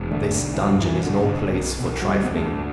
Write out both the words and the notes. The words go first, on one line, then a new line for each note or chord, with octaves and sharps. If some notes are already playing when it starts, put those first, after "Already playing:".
This dungeon is no place for trifling.
Already playing: E1
D3 A3
B1
E3
F#3
B1
E3
B2
D3
B2 D3
B1
B1
F#3
D2 G3
B3
D2 A3